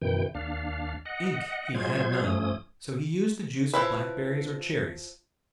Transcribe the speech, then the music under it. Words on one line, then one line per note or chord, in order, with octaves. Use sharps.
Ink he had none, so he used the juice of blackberries or cherries.
F#2 B2 D#3 E3 G5
D#2 D4 F5
D#5 F#5
F#3 G#3 F4 C5 G#6
G2 F3 A3 C#4 D#6
F3 G#3 E4 B4